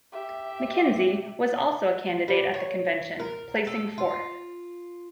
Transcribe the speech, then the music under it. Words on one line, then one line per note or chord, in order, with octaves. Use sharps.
McKenzie was also a candidate at that convention, placing fourth.
G4 E5
G3
C#5
A#4
A4
F4